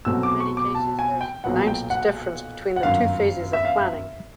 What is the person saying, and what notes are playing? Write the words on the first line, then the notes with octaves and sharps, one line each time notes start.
In many cases there is a pronounced difference between the two phases of planning.
C2 B2 F#3 A3 C4 E6
D6
C#6
D6
A5
G#5
G5
B1 A#2 F#3 B3 F#5
G5
F#5
F#5
G1 F#2 D#3 F#3 F5
E5
F5
E5